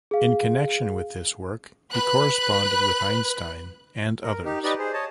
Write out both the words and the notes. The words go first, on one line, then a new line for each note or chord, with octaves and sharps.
In connection with this work, he corresponded with Einstein and others.
G#4 F5
B4 B5 F#6
A#4
D#4 G4
D#4 G4 B4 D5 D#5
G#4 C5
C#5 D#5 A5